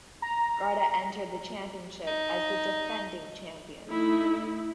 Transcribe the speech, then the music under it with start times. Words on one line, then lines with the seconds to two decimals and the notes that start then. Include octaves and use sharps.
Garda entered the championship as the defending champions.
0.22 A#5
2.07 D#4
3.89 A3 D#4 E4